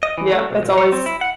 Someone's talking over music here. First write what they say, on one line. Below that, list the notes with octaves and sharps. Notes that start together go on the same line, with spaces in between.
Yep, it's always
D#5
E3
A3
B1
A#2
C#5
C4
E4
F#5